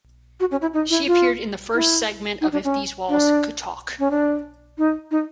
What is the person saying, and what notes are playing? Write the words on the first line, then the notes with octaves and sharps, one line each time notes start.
She appeared in the first segment of "If These Walls Could Talk".
F#4
C#4
E4
D#4
E4
F4
E4
D#4
D4
C#4
D4
C#4
D4
D#4
D#4